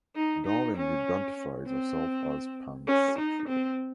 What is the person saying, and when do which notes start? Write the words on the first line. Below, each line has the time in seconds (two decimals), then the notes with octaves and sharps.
Darling identifies herself as pansexual.
0.16 D#4
0.46 D#4
0.77 C#4
1.67 C4
2.88 C#4
3.19 D#4
3.48 C4